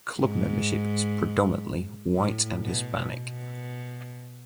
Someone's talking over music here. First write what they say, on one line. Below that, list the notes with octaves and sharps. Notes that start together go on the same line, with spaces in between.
Club membership is predominantly white and Hispanic.
G#2
A2
B2
B2